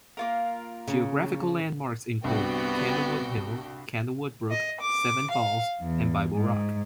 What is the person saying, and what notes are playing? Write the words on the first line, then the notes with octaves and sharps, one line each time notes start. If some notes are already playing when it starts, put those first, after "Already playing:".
Geographical landmarks include Candlewood Hill, Candlewood Brook, Seven Falls and Bible Rock.
A#3 F4 A#4
C#3
C2 G2 G3 B3 C4 F#4 G5
D#5
D6
F5
E2
G#2